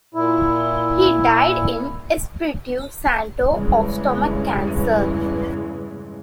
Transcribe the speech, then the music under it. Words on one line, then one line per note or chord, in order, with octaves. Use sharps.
He died in Espiritu Santo of stomach cancer.
A#2 E4
E2 G2 C#3 E3 G#3